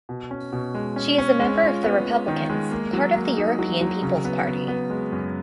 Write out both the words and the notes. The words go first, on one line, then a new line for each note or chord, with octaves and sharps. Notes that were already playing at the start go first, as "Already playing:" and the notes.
She is a member of the The Republicans; part of the European People's Party.
B2
C#4
B2
G#3
C#4
C#4
G#3
F4
B3
G#3
D#3
G#3
A#3
F#3
A#3
D#4
F#3
F#3
C#3
B3
B3
B3
G#3
F#2